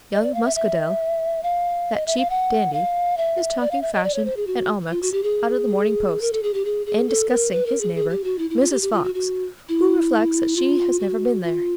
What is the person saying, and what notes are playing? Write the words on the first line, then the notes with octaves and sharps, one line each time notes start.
Young Muscadel, that cheap dandy, is talking Fashion and Almack's out of the MORNING POST, and disgusting his neighbour, Mrs. Fox, who reflects that she has never been there.
D#5
D5
F5
E5
E5
F5
D#5
E5
F5
F#5
F5
E5
D5
F5
E5
D#5
D5
C#5
C5
G#4
F#4
F4
F#4
G4
G#4
A#4
A4
G#4
G4
G#4
G#4
A4
A#4
B4
A#4
G#4
G#4
G4
F#4
E4
E4
F4
G4
G4
F4
F#4
F#4
E4
F4
F#4
F4